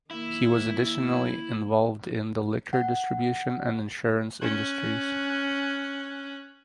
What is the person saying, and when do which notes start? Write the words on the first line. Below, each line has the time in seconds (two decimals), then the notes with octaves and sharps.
He was additionally involved in the liquor distribution and insurance industries.
0.11 D#3 A#3 E4
2.73 F#5
4.41 C#4 F#6